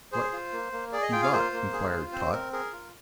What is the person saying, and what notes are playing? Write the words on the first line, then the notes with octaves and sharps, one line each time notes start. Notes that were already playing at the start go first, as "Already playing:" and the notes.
"What you got?" inquired Tot.
G#4 C5
F4
A#3
A#3
G#4 D5
D#5
F4 G5
F5
A#3 C5
A#3
G#4
F4
C4 C5
C4 A#4
G#4 A#4
F4